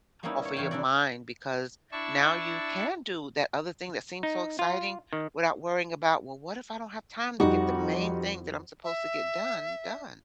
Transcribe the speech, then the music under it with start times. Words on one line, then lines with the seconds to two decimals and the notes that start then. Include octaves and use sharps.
off of your mind because now you can do that other thing that seems so exciting without worrying about, well, "What if I don't have time to get the main thing that I'm supposed to get done, done?"
0.23 G3 A#3 B3 C#4 D#4 E4
0.45 C#5
0.56 E3 G3 C#5 F5 G5
0.71 E3 D4 E4 F#4 D5
1.92 D4 E4 A5 C#6 E6
4.23 D#4
4.59 F4
5.13 D#3
7.40 F2 G3 D#4 F#4
8.84 E5